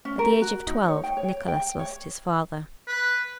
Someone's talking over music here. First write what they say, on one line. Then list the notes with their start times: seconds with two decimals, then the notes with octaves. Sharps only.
At the age of twelve Nickolas lost his father.
0.05 C#4
0.19 A#4
0.42 F#4
0.67 D#4
0.88 C#5
1.04 G5
1.17 C#5
1.48 G5
1.79 C#5
2.88 B4